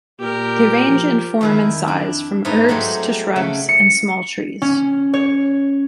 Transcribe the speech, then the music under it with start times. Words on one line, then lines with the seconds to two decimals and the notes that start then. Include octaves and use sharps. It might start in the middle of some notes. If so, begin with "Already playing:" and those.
They range in form and size from herbs to shrubs and small trees.
0.20 A#2 G4 A#4
0.89 F3
1.41 F2 D#3 E4
1.88 D4
2.45 G#2 A3 D#4 B4 A#5
2.69 F#3 G#3 A3 C4 F4 G4
3.36 C#3 F#3 A3
3.69 C#7
4.62 C#4
5.14 C#5